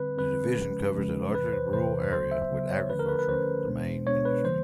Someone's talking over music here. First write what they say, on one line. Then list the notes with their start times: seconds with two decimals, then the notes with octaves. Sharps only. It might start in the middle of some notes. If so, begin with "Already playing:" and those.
The Division covers a largely rural area, with agriculture the main industry.
Already playing: D3 G3 C4 B4
0.18 D3 G3 C4 B4
0.56 C#3 F3 G#3 C#4
0.95 C#3 F3 G#3 C#4
1.35 E2 C3 E3 B4
1.53 C5
1.73 E2 C3 E3 C5
2.12 C#3 F#3 B3 C5
2.31 E5
2.52 C#3 F#3 B3
2.71 C#5
2.90 D3 F3 A3 C#4 B4
2.99 A#4
3.09 B4
3.19 B4
3.29 D3 F3 A3 C#4 C5
3.67 B2 G#3 B3 D4
4.06 B2 G#3 B3 D4 C#5
4.25 B4
4.45 C#3 E3 G3 A#3 C5